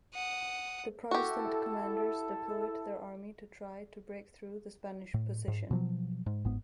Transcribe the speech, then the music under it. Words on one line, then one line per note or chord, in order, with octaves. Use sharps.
The Protestant commanders deployed their army to try to break through the Spanish position.
F#5 D#6
E4 F#4 G4 A4
A2
G#2
B2 F3 F#3
G#2
G1 G#2 B3